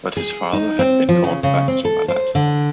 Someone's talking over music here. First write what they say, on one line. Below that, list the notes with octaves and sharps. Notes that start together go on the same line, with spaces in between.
But his father had been called back to Malat.
G#4
D#4
C4
F3
C#3
C#3
C4
A4
C5
D3